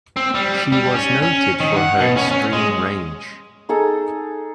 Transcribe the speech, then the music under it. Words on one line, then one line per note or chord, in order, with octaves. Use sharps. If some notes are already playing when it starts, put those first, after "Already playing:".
She was noted for her extreme range.
C4
G3
G3
C#4
C#4
D#3
F#5
B2
C#4
C#4
G#3
D#4 G#4 A4